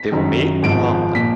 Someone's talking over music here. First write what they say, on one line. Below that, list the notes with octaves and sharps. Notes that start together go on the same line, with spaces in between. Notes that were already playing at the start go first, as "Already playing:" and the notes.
They were made in London.
Already playing: B6
F#1 F#2 D#3
G#1 G#2 F3 D7
A#2 F3 B6